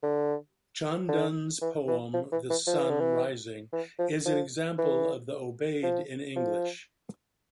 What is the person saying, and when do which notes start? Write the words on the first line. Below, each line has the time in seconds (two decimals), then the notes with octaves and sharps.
John Donne's poem "The Sunne Rising" is an example of the aubade in English.
0.03 D3
1.09 D3
1.61 E3
1.88 E3
2.14 F3
2.32 E3
2.50 E3
2.67 F3
2.78 E3
2.89 D3
3.00 E3
3.73 E3
3.99 F3
4.25 F3
4.78 E3
5.83 F3
6.36 F3